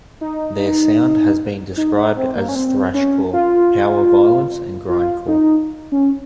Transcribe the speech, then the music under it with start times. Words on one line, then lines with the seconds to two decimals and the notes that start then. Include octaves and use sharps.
Their sound has been described as thrashcore, power violence and grindcore.
0.21 D#4
1.77 D#4
1.96 D#4
2.16 C4
2.35 A#3
2.48 C#4
2.55 C4
2.94 C#4
3.33 F4
4.89 F4
5.28 D#4
5.92 C#4